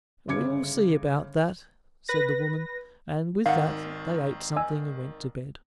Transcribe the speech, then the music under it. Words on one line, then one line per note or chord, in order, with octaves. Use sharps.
"We will see about that," said the woman, and with that they ate something and went to bed.
G1 C#3 D6 G#6 C#7
B4 A#6
G#1 D#3 F5 F#5
D#5 G#5 E6